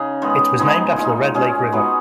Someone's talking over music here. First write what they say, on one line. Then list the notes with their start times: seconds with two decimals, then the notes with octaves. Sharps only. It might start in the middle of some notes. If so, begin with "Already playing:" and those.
It was named after the Red Lake River.
Already playing: C#3 D#4 G#4
0.22 D#3 G#3 B3
0.59 G#3 B3 D#4 G#4
0.96 A#2 G#3 D#4
1.34 A#2 G#3 C#4 G#4
1.72 G#3 B3 D#4 F#4